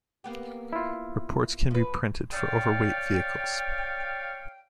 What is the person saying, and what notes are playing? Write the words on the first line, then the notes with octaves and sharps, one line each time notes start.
Reports can be printed for overweight vehicles.
A#3 B3 G4
E4 F4
F3 B4
C#5 D5 F5 G5